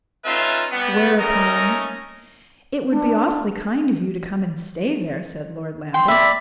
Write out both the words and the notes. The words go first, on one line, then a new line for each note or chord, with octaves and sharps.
Whereupon--"It would be awfully kind of you to come and stay there," said Lord Lambeth.
A3 C#4 D#4 F4 B4 E5
G3 B3
A3 C#4 D#4 A#4 D#5
D4
G5 C6
D5 E5 B5